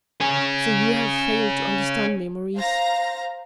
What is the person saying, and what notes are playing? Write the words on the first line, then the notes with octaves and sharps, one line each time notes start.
So you have failed to understand me, Maurice.
C#4 G#4
C5 F5 A#5 A#6